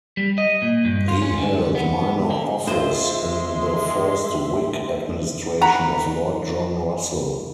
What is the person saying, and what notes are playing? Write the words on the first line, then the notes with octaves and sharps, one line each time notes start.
He held minor office in the first Whig administration of Lord John Russell.
G3
D#5
A#2
G2
F4
C#4
D3
B3
D3
G#3 F4 C5 E5 C6
F#5 A#5 B5